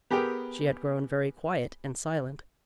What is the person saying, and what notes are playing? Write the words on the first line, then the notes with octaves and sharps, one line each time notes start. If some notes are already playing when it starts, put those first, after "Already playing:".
She had grown very quiet and silent.
B3 G4 G#4 A#4 G5